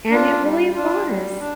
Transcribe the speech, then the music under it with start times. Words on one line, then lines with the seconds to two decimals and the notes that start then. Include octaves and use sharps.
and it really was.
0.10 D4 F4
0.42 G3
0.75 D4 F4
1.08 G3
1.40 D4